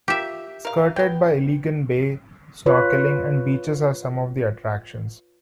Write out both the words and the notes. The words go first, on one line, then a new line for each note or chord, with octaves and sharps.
Skirted by Iligan Bay, snorkeling and beaches are some of the attractions.
F4 G4 A#4 E5
A#4 F5
B3 G5
F4 B4 C#5